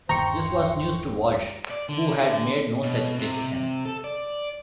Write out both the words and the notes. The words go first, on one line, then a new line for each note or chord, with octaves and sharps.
This was news to Walsh, who had made no such decision.
D#1 G2 D#3 C5 G5 A#5 C#6 C#7
D5
D3
B2
C3
A4
D5